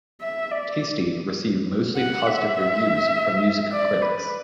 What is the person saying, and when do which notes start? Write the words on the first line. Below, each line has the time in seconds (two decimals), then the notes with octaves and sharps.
"Tasty" received mostly positive reviews from music critics.
0.22 E5
0.52 D5
1.97 F#5
2.27 E5
3.73 D5
4.02 B4